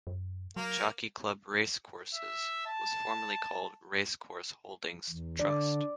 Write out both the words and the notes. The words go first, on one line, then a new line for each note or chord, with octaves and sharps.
Jockey Club Racecourses was formerly called Racecourse Holdings Trust.
F#2
F#3 A#3
E5
A5
E2
D3 D5